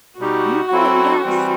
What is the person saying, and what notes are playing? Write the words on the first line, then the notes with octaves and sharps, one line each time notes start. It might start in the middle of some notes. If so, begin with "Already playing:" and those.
You got yes.
B2 G3 D#4 F#4 G4
F#3 C4 E4 A4
E3 G3 C4